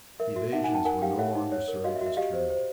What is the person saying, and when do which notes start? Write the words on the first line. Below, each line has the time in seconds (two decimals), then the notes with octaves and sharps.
Evasions would no longer serve his turn.
0.20 A#4 E5
0.36 F#4 E5
0.52 D#4 E5 F#5
0.64 D#4 F#5 G#5
0.75 G5 A5
0.85 A#4 F#5 G#5
1.02 G4 F5 G5
1.18 C#5 E5 F#5
1.35 D#4
1.52 C#5
1.68 A#4
1.84 F#4 D#5 F5
1.96 E5
2.01 F#4
2.06 E5
2.17 G4 D#5 F5
2.34 C5
2.50 C5